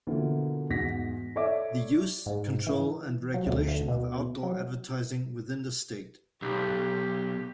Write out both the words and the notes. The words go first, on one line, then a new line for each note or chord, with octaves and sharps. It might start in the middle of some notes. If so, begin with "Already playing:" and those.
The use, control and regulation of outdoor advertising within the state.
B2 D3 E3 F3 A#3
E2 G#2 F#4 A#6 B6
E4 A4 C#5 D5 E5 D6
G#2
E3
F#3
D2
D2
B2
F#3
B1 G4